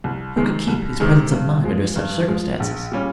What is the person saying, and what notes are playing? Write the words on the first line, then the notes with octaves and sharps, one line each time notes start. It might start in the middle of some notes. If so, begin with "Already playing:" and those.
Who could keep his presence of mind under such circumstances?
C2
C3 D#3 G#3
C2
C3 D#3 G#3
G2
F3 G#3
G2
F3 G#3
A#1
A#2 G3 C#4